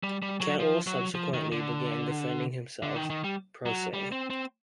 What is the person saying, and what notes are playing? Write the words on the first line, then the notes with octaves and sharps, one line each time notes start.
Cantwell subsequently began defending himself "pro se".
G3
G3
F#3
F3
F#3
F3
D#3
D3
D3
D#3
D#3
G3
F#3
G3
C4
C4